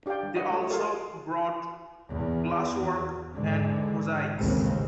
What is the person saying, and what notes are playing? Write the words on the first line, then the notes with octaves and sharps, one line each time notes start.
They also brought glasswork and mosaics.
D4 G4 D5 F5 G5
G3
E4 C#5 D#5 F#5
A3
F4 G4 A4 A#4 C#5 F5
E2
G#2 D3 E3 G#3
A1 D#2 C#3 G#3 C4